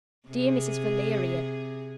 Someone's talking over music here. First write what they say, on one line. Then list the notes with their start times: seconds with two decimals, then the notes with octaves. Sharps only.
Dear Mrs. Valeria!
0.28 C3 G#4